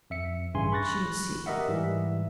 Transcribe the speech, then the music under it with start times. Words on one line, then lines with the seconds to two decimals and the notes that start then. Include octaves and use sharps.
She would see.
0.10 F2 E5 C#7
0.54 A1 G2 C#3 G#5 C6
0.72 B5 C#6 F#6 A6 A#6
1.46 G4 A#4 D#5 E5 F#5
1.68 G#2 E3 G3 E5